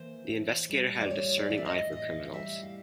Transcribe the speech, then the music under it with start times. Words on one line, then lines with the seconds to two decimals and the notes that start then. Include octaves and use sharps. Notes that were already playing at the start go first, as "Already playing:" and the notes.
The investigator had a discerning eye for criminals.
Already playing: E3 A#3 C5
0.28 A2
0.69 G3
1.01 D5
1.10 A2 C#5
1.38 D5
1.51 E3 F5
1.58 E5
1.65 D#5
1.92 A2 D#5
2.25 F5
2.33 G3 E5
2.63 F5